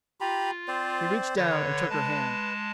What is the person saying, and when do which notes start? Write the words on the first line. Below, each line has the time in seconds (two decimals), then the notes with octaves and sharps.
He reached down and took her hand.
0.21 F4 G4 A#5 B5
0.68 C4 C5 D5
1.37 D3 B4 C#5
1.90 G#3 A5